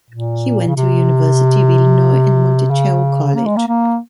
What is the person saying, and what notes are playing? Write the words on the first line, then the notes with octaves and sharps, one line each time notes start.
He went to University of Illinois and Monticello College.
A#2
C#3
C3
C#3
A#3
G#3
A#3
A#3